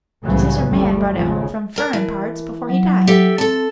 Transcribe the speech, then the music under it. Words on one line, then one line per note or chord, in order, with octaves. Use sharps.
She says her "man" brought it home from "furrin' parts" before he died.
C2 A2 C#3 E3 F#3 A3
G1 D2 C3 G3 A3
G#1 D#2 C#3 F3
A#4 A5
E3 A#4
F#3
G4 A4 E5
C4 A4 A5